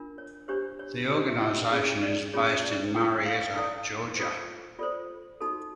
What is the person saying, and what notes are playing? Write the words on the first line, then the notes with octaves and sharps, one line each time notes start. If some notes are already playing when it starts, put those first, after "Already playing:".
The organization is based in Marietta, Georgia.
Already playing: D4 F4 A#4
C#5
D4 G4 C5 C#5
C#5
D4 G4 C5
E5
D#5
C#4 F4 G#4 E5
D5
C#4 F4 G#4 C#5
D5
E4 A4 C#5 G5
F5
E4 A4 C#5 D5
F4 A4 C5
F4 A4 C5 D5
D#4 F#4 A4